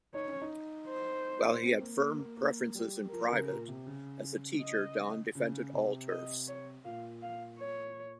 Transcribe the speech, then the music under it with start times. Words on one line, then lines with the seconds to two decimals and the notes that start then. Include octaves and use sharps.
While he had firm preferences in private, as a teacher Don defended all turfs.
0.14 D#4 C#5
0.27 C#4
0.41 D#4
0.88 C5
1.63 C4
1.81 A#3
2.00 A#3
2.19 A#3
2.37 A#3
2.75 G3
3.11 F3 A#4
3.31 C#3
3.49 A#2
3.68 C3
3.86 C#3
4.61 D#5
5.35 C#3
5.73 C3
6.10 D#5
6.48 C#5
6.85 A#2 F5
7.22 F5
7.59 C#5